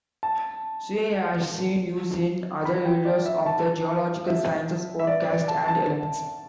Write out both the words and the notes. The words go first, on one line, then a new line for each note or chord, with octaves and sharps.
Cl has seen use in other areas of the geological sciences, forecasts, and elements.
A5
B5
G5
D5
E5
A5
E5
E5
D5
D5
A5
A5